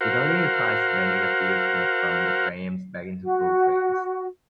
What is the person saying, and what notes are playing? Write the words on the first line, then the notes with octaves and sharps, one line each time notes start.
It only requires blending the fields made from the frames back into full frames.
F#4 A#4 C5 F5 F#5
F#4